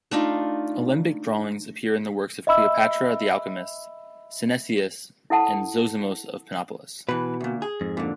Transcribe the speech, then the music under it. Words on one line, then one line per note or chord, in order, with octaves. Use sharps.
Alembic drawings appear in works of Cleopatra the Alchemist, Synesius, and Zosimos of Panopolis.
A3 D4 D#4 F4
D#5 E5 B5 E6
E4 A4 F#5 A5
B2 E3 B4
D2 A#2
G#4
F2 G#2
A#2 D3